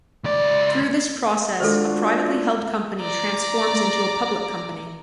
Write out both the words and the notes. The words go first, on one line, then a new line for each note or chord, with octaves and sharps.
Through this process, a privately held company transforms into a public company.
C#2 D5
D#3 G#3 D4 F4 F#4 A4 C5
D5 A#5